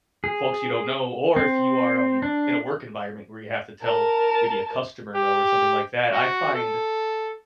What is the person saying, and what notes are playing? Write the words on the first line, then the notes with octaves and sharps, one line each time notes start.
folks you don't know, or if you are, um, in a work environment where you have to tell maybe a customer no, or something like that, I find
G#4
C4
D4
A#4 A5
G4
F#4
A4